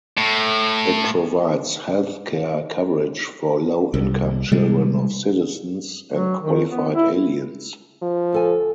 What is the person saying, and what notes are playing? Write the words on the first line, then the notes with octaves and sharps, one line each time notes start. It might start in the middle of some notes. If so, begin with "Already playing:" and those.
It provides health care coverage for low-income children of citizens and qualified aliens.
A2
C2
C3 G3 G#3
F#3
D#3
B3
E4
F3
D2 A4 G#5